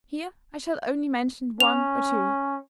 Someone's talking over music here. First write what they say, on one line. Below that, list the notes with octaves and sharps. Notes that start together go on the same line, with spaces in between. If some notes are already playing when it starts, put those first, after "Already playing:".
Here I shall only mention one or two.
C#4 F7